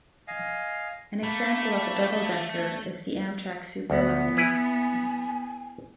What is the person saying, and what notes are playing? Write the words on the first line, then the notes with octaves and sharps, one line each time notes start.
An example of a double decker is the Amtrak superliner.
D#5 F5 G#5
A3 A#3 B5
D2 B3 F#5
E4 B4 G#5